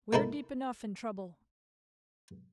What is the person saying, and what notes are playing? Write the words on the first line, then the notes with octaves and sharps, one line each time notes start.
We're deep enough in trouble.
A#3 D#4 E4 A4